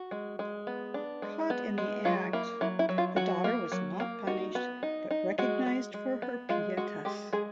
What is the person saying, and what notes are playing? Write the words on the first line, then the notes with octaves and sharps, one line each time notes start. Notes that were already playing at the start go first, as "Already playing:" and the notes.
Caught in the act, the daughter was not punished, but recognized for her "pietas".
Already playing: F#4
G#3
G#3
B3
D4
G#3
B3
G#3
F#3 F4
A#3 E4
F#3 E4
E4
F#3
F4
F#3 F#4
A#3
F#3
A#3
D#4 F#4
B3
D#4
D#4
G#3 F#4
G#3
G#3
B3
G#3 F4
G#3 F#4
G#3 G4
G#3 G#4